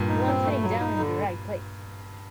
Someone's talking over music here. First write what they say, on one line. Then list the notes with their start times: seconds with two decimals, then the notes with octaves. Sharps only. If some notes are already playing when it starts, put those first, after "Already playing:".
You want setting down in your right place!
Already playing: G2 A#2
0.08 D#4
0.27 C4
0.44 A3
0.62 F#3
0.80 D#4
0.98 D3